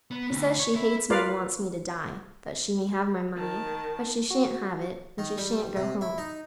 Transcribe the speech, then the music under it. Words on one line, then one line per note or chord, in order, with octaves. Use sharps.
He says she hates me and wants me to die, that she may have my money; but she shan't have it: and she shan't go home!
B3
D2
C#5
E4
F4 A#4 B4 D5 F5
D#3 A5
F#4
D#3
G3
C3
E4
D#4